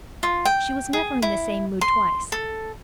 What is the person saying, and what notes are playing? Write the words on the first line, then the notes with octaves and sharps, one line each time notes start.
She was never in the same mood twice.
F4
G5
G#4
E4
C6
A4